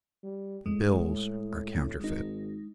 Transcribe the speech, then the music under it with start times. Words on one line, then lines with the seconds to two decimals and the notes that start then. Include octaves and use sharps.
"The bills are counterfeit."
0.24 G3
0.66 A2 G#3
2.00 G#1 G#3 D#4